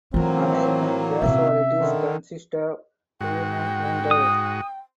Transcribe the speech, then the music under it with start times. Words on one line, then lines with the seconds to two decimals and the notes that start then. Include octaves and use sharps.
American casualties consisted of two men wounded.
0.14 A2 E3 F#3 A#3 C4 F4
1.22 C3 C#4 E5
1.77 D3 D#3
3.21 G#2 F#4 G5
4.11 D#6